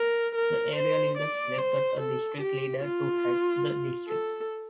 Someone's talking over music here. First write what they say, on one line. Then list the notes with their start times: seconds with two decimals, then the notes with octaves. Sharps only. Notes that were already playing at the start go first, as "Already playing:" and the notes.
The area leaders selected a district leader to head the district.
Already playing: A#4
0.35 A#4
0.76 C5
1.17 D5
1.58 C5
2.00 A4
2.41 G4
2.83 F4
4.07 A4